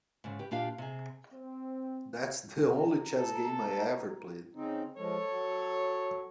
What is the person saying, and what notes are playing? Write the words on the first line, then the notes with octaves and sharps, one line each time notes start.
That's the only chess game I ever played.
G#2 C#3
G4 B4
A#2 D4 F4 G4 F5
C3 G#4
C4
A#4
A#5
A4
C#3 C4 D#4
F3 G#3 A4 C#5
F#3